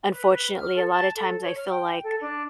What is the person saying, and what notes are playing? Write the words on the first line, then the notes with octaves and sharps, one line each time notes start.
unfortunately, a lotta times, I feel like,
B4
B4
F6
A4
A5
A4
A4
C#5
F6
G5
A4
D4